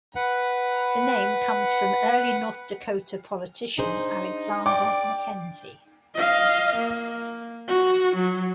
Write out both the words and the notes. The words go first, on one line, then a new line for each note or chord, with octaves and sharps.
The name comes from early North Dakota politician Alexander McKenzie.
B4 F#5
D4 D#4 G#4 C5
D5 G5 D6
D#5 F5
A#3
F#4
F#3